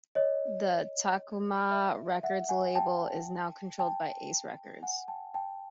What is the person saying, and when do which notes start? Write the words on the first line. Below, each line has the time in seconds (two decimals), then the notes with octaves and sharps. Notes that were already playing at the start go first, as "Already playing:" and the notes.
The Takoma Records label is now controlled by Ace Records.
0.15 C#5 D#5
1.71 D5 E5
2.23 E5 F#5
2.49 F#5 G#5
2.75 G5 A5
3.79 G5 A5
4.82 F#5 G#5
5.08 G5 A5
5.34 G5 A5